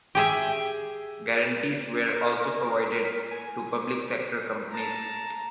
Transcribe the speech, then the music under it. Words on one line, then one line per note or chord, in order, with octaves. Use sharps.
Guarantees were also provided to public-sector companies.
G4 G#4 E5
A#4
G#5
A5 A#5